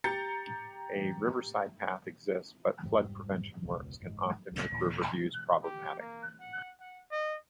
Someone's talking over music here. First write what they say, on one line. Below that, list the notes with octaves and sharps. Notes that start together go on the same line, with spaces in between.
A riverside path exists, but flood prevention works can often make river views problematic.
G4 A#5 G6 A6 C#7
F1 G#2 G3
E1 C#2 B2
F#1 G#2
D1 A#1 A2 C#3
D#2 A#2 E3
G4
A#3
F#5
F#5
D#5